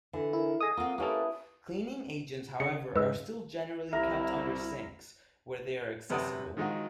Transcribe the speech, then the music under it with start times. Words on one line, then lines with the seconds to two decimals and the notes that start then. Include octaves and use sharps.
Cleaning agents, however, are still generally kept under sinks, where they are accessible.
0.13 D3 E3
0.33 E4 A#4
0.61 G#4 A4 D#5 D#6
0.77 A#3 C4 F4 F#5
0.98 A#3 C#4 E4 G4 A4 B4
2.60 C#3 D#5 C#7
2.96 G#2 C#3 B4 D#5 E6
3.93 C2 E4 A#4 E5
6.10 F#2 C3 B4 A5 D#6
6.57 D#3 F3 G#3 D#4 F4 F#4